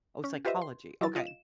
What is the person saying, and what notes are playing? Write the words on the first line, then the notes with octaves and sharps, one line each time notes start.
Oh, psychology. Okay,
C#4
F4 G4 B4 C5 D#5 E5
C6
F#3 E4 A6
F4 D#5 F5
E7